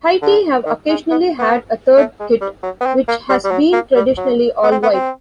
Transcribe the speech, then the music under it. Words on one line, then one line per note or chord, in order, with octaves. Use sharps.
Haiti have occasionally had a third kit, which has been traditionally all-white.
D3
D#3
G#3
B3
B3
A3
G#3
G3
F#3
B3
C4
A#3
G3
G3
F#3
A#3
G3
F#3
B3
C4
B3
C4